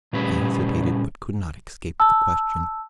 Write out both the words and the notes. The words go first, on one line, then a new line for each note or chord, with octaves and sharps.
I hesitated but could not escape the question.
A#2 C#3 G3 B4
A5 E6